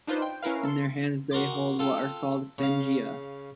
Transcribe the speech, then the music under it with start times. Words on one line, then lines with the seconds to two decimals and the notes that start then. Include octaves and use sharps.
In their hands they hold what are called "phengia".
0.07 D4 D#4 F4 B4 C5
0.22 G5
0.42 C#4 E4 A#4 B4 F5
0.65 A4 C6
1.31 F#4 A#4 C6 D6
1.79 F4 A4 G5
2.58 C#3 F5